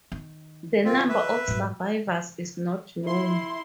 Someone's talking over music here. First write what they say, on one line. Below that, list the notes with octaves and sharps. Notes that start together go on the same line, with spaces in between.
The number of survivors is not known.
D#3
C4 F4
B4 E5
G#2 F#3
E4 C6